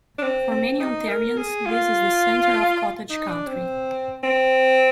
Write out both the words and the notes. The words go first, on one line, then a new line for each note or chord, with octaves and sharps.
For many Ontarians, this is the centre of cottage country.
D4
C4
C4
D#4
A#4
G#4
F4
D#4
D4
C4
C4